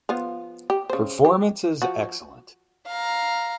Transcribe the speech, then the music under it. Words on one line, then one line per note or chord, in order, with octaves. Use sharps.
Performance is excellent.
F3 B3 F4
G4
C#3 C5
G4
F3 F#4
F5 A#5